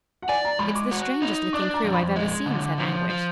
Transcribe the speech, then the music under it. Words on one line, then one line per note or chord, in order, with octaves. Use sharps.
"It's the strangest-looking crew I've ever seen," said Anguish.
F#5
D5 G#5
A#5
G#3 B5
D6
F#4
D#4
D4 D6
A#5
F2
B5
G#3 D#5
D3
F3
F3